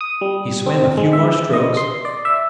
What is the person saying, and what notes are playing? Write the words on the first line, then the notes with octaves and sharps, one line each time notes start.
He swam a few more strokes.
D#6
G3
C4
G#3
E5
D#5
C6
D5
E5